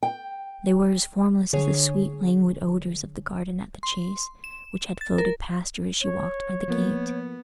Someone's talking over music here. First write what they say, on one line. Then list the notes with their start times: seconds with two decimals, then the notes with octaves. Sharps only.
They were as formless as the sweet languid odours of the garden at the Chase, which had floated past her as she walked by the gate.
0.03 G5
1.53 D3 G#4 C#5
3.83 C6
4.44 E7
5.01 A6
5.18 A#4
6.01 C#5
6.68 F3 A#3 B3